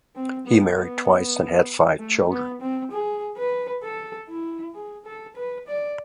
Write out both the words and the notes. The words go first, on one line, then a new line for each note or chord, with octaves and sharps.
He married twice, and had five children.
C4
B3
B3
A3
B3
C4
G#4
B4
A4
E4
G#4
A4
B4
D5